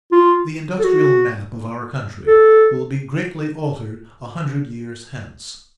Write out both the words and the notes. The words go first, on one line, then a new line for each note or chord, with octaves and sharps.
The industrial map of our country will be greatly altered a hundred years hence.
F4
A4
F#4
A4